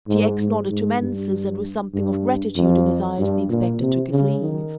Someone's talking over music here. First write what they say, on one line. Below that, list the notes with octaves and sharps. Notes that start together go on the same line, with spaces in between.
T. X. nodded to Mansus and with something of gratitude in his eyes the inspector took his leave.
G#2
G#2
G#2
G2
G2
F2
G2
A#2
C3
C#3
D#3